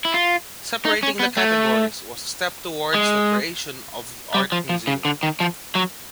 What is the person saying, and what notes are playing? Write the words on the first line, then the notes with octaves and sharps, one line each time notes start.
Separating the categories was a step towards the creation of art museum.
E4
F4
D#4
C#4
B3
A3
G#3
G3
F3
F3
C#3
D3
D#3
F3
F#3